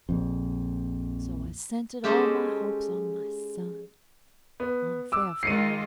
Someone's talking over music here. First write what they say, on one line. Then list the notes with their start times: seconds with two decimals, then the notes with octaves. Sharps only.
So I centered all my hopes on my son--on Fairfax.
0.09 A#1 F2
2.04 G#3 C#4 G4 A4 C5 D#5
4.60 B3
5.12 D6 E6
5.43 D#3 G#3 F4 C7 C#7 D#7